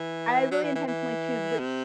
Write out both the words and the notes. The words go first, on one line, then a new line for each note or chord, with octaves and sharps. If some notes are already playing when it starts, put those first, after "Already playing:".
I really intentionally choose which
Already playing: E3
F#3
E3
E3
E3
C3